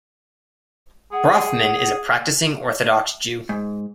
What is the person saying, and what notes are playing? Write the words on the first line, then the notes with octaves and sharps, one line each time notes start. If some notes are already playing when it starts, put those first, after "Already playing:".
Brafman is a practicing Orthodox Jew.
G#4 F#5
G#2